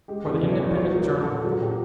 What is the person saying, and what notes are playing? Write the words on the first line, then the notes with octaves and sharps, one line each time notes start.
For the Independent Journal.
G#3 G4
E2 A4
B2 D5
C#5
E2 D5
F#3 C#5
F#3
A#4
F#3
A4
A#2
A4
F#3 G#4
A#2 G4